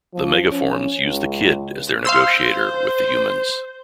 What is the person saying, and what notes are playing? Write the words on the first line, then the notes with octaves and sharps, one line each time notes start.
The Megaforms use the Kid as their negotiator with the humans.
F3
C#4
C#2
C5 F5 C6 E6